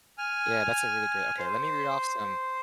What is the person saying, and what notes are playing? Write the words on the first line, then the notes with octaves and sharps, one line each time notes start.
Yeah. That's a really great okay, let me read off some
G#5 F6
C5